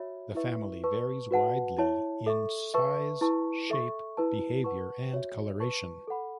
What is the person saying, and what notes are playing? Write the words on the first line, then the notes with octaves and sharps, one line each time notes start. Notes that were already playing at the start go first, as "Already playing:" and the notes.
The family varies widely in size, shape, behavior and coloration.
Already playing: F#4 C#5 E5 B5
E4 B4 E5 C#6
B4 A5 C#6
F#4 B4 F#5 A5
E4 C#5 E5 A5
A4 E5 C#6
B4 E5 A5 C#6
E4 B4 A5 C#6
A4 E5 C#6
E4 B4 A5
B4 F#5 A5 C#6
F#4 C#5 E5
B4 A5 C#6
A4 F#5 B5